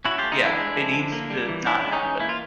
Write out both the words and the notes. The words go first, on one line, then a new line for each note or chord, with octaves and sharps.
yeah, it needs to not happen.
C#4 E4 F#4
A3 F4 G4
D#4 F4
E3 D4 E4
G#3
F3
D3
A#3
G3
E3
C#4 D4 E4
G#3
C#4 D#4
E3
A#3 E4
F4